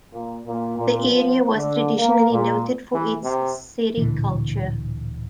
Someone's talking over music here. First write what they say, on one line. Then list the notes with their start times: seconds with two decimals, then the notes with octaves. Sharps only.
The area was traditionally noted for its sericulture.
0.13 A#2
0.46 A#2
0.77 A#2
1.10 F3
1.55 D3
1.98 A#3
2.31 A#2
2.94 E3
3.24 C3
3.97 D1 A#2 D3 E3